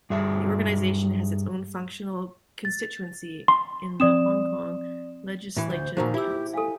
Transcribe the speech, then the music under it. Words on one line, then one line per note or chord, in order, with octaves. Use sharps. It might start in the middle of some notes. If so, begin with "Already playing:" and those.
The organisation has its own functional constituency in the Hong Kong Legislative Council.
G2 G#4 E5
A6
C6
F3 C4 D5 D#6 E7
A2 E3
D2 C5
A#2 D#3 F3 F#4 C5
E4 F4 G4 E6
A4 F5 G#5